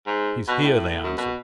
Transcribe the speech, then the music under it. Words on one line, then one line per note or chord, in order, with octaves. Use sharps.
"He's here," they answered.
G#2
B2
A2
F#2
B2